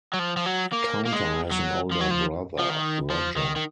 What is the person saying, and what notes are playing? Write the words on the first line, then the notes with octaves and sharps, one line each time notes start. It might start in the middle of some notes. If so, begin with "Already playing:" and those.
Caunter has an older brother, Roger.
F#3
F3
F3
F#3
A#3
A#3
G#3
F#3
F3
F#3
F3
F3
D#3
F3
D#3
D#3